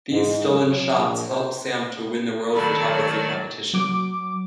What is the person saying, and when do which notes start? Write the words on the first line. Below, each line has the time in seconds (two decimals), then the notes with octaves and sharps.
These stolen shots help Sam to win the world photography competition.
0.11 G#2
0.50 F#3
0.96 A#1
1.28 C5
2.54 D#3 F#3 A4 D5 B5
2.93 C#5
3.73 F#3 D6